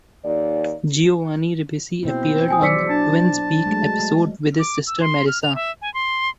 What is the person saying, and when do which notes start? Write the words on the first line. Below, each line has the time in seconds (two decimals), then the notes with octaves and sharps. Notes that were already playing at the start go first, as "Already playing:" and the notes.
Giovanni Ribisi appeared on the "Twins' week" episode with his sister Marissa.
0.23 D#2 D5
2.03 B2 A#3 C4 E4
2.48 G5 G#5 D#6
2.62 F#3 C5 D5 E6 B6 C#7
2.89 D4 A5
3.66 F#3 G#3 A3
4.59 D6
4.87 E6
5.01 C6
5.27 F6
5.43 F7
5.55 E5
5.82 G#5
5.94 C6